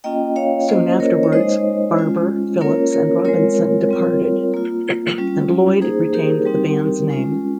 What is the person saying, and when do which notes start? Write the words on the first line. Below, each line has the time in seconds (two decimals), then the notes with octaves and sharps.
Soon afterwards, Barber, Phillips and Robinson departed and Loyde retained the band's name.
0.04 A#3 C#4 F4 D#5 G5
0.36 C#5 F5
0.68 A#3 C#4 F4 C5 D#5
1.00 A#4 C#5
1.23 C#5
1.32 G#3 D#4 C5 D#5
1.97 G#3 C#4 F4
2.61 A#3 C#4 F4 A#4 C#5
2.92 A#4 C#5
3.25 G#3 C4 F4 A#4 C#5
3.89 G3 C4 F4
4.54 A#3 F4
5.18 G3 C#4 F4
5.81 A#3 D#4 G#4 C5
6.14 G4 A#4
6.46 G3 C4 D#4
7.10 G#3 C#4 F4